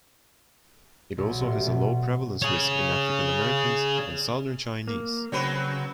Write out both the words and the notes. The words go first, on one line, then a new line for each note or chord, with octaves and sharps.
It also has a low prevalence risk in African Americans and southern Chinese.
B1
A1
B2
G#4 C#5
A#3
C#3 F#3 C4 B4